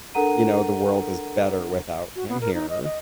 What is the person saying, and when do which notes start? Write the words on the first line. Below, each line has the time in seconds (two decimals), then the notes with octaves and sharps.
you know, "the world is better without him here,"
0.14 D4 A4 A#4 F#5 A#5 D#7
2.16 F#4
2.29 B3
2.41 A#4
2.54 D#4
2.69 D#5
2.84 D#5